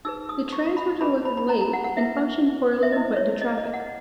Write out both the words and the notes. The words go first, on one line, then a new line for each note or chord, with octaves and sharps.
The trams were delivered late and functioned poorly when put into traffic.
D#4 G#4 B4 E6
D#6
C#6
B5
C#4 G#4 B4 B5
B5
B5
A#5
A#5
F#5
F#5
E4 B4 E5
E5
E4 B4 D#5
C#5
D#5
D#5
F#5